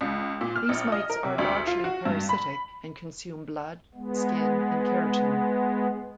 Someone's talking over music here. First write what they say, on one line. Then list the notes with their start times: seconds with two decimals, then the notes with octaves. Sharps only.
These mites are largely parasitic and consume blood, skin and keratin.
0.01 C#2
0.41 A#2
0.56 F6
0.69 A#1
0.92 D#5
1.10 A#4
1.24 C3
1.38 D2
1.67 F4
1.84 F#4
2.05 G2
2.29 B5
3.94 G#3 B3